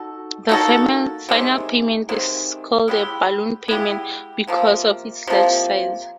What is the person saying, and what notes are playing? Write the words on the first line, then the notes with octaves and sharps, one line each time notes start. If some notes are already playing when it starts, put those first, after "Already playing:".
The final payment is called a "balloon payment" because of its large size.
Already playing: D#4 F#4 A4
A#3 D#4 F#4 A4
C3 D#3 G#3
C3 D#3 G#3
G#3 B3 E4 G4
G#3 B3 E4 G4
C3 F3 A#3
C3 F3 A#3